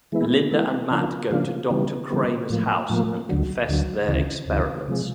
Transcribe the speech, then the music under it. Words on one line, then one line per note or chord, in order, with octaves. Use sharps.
Linda and Matt go to Doctor Kramer's house and confess their experiments.
E3 G#3 B3 E4
E3 G#3 B3 E4
C#3 F3 A#3 D4 F4
C#3 F3 A#3 D4 F4
C#3 E3 G3 B3
C#3 E3 G3 B3
A2 F3 A#3
A2 F3 A#3
D2 D3 F#3
D2 D3 F#3
D2 C#3 E3
D2 C#3 E3
C3 F3 G#3